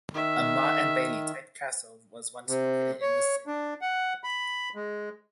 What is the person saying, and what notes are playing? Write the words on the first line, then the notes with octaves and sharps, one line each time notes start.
A motte-and-bailey-type castle was once located in the city.
D#3 E5
C3
C#5
D4
F#5
B5
G#3